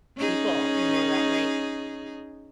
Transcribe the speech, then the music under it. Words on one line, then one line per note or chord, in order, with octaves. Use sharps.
people, you know, that, like,
C#4 D#4 G#4